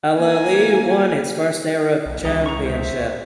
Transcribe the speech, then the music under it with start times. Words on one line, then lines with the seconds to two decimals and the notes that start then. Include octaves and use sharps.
Al Ahly won its first Arab championship.
0.16 A#3 G#5
2.06 B1
2.25 C#2 D#4 G4
2.46 A#5 C#6
2.66 C5 E5